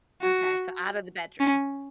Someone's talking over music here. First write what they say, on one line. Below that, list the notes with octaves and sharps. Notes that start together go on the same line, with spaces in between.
Okay, so out of the bedroom?
F#4
C#4